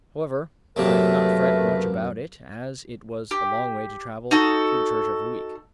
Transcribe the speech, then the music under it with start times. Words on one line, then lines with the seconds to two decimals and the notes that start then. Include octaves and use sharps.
However I did not fret much about it as it was a long way to travel to the church every week.
0.76 F#2 C3 A3 A#3 A#4 B4
3.31 G4
4.31 D#4 F#4 A4